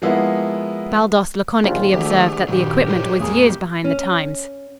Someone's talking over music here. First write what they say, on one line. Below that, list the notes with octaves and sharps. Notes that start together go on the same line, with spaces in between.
Baldos laconically observed that the equipment was years behind the times.
F3 G#3 A#3 B3 E4
A#1 D#2 F4
D2 D#3 G#3 A3 G4 G#4
G2 A#2 D#3 F#3 G4
A#4 C5 C#5
E2 A2 A3 C4 G#4 A#4
G4
C#4